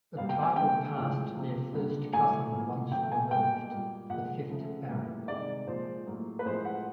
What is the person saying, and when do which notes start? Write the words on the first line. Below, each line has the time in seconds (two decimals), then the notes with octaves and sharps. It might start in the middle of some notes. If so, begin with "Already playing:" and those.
The title passed to their first cousin once removed, the fifth Baron.
0.16 B2 G3 A#3 F5
0.29 G5
0.43 G#5
0.56 D3 G3 A#3 G5
0.95 A2 F3 G#3
1.35 C3 F3 A#3
1.73 D3 G3 A#3
2.13 A2 F#3 A3 G#5
2.52 A2 F3 A#3
2.91 B2 F#3 A3 G5
3.12 G#5
3.31 B2 G3 A#3 G5
3.71 A#2 G3 A#3
4.10 A#2 F3 G#3 F#5
4.50 C#3 F3 A3
4.89 A2 E3 G3 A#3
5.28 C3 D#3 G#3 D5
5.67 A#2 F3 G#3 C5
6.07 A2 F#3 A#3
6.39 B4
6.46 A2 F3 G#3 C5
6.65 F#5